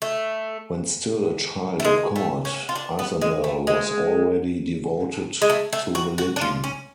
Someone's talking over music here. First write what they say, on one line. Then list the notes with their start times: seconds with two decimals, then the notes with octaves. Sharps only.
When still a child at court, Isabelle was already devoted to religion.
0.02 A3
1.80 A3
1.85 G#3
2.16 A3
2.45 C#4
2.69 F4
2.76 D4
2.99 B3
3.21 G#3
3.44 A3
3.67 G#3
5.42 G#3
5.50 A3
5.73 A3
5.95 F#4
6.18 F#4
6.36 D4
6.41 F4
6.64 C#4